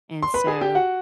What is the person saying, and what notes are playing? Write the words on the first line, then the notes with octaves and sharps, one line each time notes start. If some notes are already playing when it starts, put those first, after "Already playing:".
And so,
C6
B4 B5
G#4 G#5
G4 G5
F#4 F#5